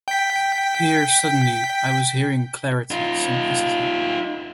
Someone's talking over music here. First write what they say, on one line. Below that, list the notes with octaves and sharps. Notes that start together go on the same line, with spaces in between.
Here, suddenly, I was hearing clarity, simplicity.
G5 B6
D#4 F4